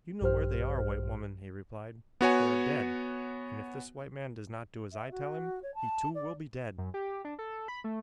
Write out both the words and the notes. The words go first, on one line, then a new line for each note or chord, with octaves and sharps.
"You know where they are, white woman," he replied. "They are dead, and if this white man does not do as I tell him, he, too, will be dead."
A#1 G2 G4 C5 F6
B3 F#4 C#5 G#5
E5
F#4
C#5
A5
D5
F#2
G4
D4
A4
B5
A3